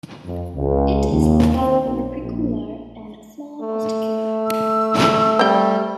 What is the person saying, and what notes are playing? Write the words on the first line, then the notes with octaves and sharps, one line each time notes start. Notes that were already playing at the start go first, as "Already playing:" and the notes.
It has loreal or preocular, and a small postocular.
F2
C#2
D#2
C4
B1
A#1
A3
E6
G3 C4 G5